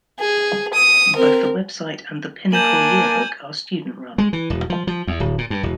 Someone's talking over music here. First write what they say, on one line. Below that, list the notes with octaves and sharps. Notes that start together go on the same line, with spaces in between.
Both the website and the "Pinnacle" yearbook are student-run.
G#4
D#6
C4 A#4
A#3 D4 G#5 G6 E7 F#7
G#3
E3
E1
F3
F3
E2
D1
A#2
G2
E1